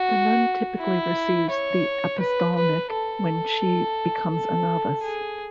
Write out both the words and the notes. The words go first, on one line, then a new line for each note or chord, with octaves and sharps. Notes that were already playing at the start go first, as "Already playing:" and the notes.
The nun typically receives the apostolnik when she becomes a novice.
Already playing: F#4
E4
C#5
B4
B4
A4
A4
G#4